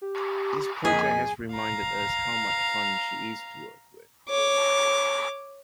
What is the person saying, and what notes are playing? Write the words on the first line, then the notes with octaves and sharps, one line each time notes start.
This project has reminded us how much fun she is to work with.
G4
F2 A#3 G#4 D#5 G#5 B6
F5 A#5
C#5 D6